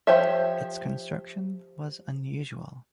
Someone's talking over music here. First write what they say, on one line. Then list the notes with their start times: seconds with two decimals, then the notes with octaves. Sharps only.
Its construction was unusual.
0.07 F3 G4 C5 C#5 E5